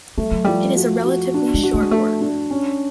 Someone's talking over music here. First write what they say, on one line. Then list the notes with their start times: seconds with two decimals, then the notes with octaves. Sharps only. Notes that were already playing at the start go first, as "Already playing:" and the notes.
It is a relatively short work.
0.17 G3 A3
0.31 F#3
0.44 F3 G3
0.76 F#4
1.06 F#4
1.34 D4
1.54 G#3
1.63 F#4
1.74 A3
1.82 G#3
1.91 A3 F#4
2.21 D4
2.50 C#4